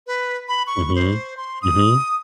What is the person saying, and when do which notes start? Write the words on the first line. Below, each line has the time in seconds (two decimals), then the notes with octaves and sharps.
Mhm. Mhm.
0.07 B4
0.48 B5
0.67 C#6
0.96 C5
1.37 C6
1.62 D#6